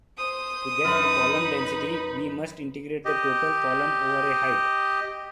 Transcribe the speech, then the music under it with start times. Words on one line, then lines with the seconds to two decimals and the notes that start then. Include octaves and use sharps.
To get a column density, we must integrate the total column over a height.
0.17 C5 D#6
0.85 F#2 D#4 B4
3.05 G4 D#5